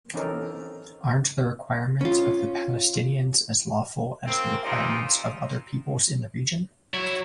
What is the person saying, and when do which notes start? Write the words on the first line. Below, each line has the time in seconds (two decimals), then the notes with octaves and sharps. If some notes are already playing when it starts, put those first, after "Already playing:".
Aren’t the requirements of the Palestinians as lawful as the requirements of other peoples in the region?
0.14 E3 C4 C#4 D#4 A4 A#4
2.01 C#4 F4
4.27 F#2 C#3 A#3 C4
4.64 C3 E3 D#4 F4 G#4 D5
6.94 F#3 E4 C#5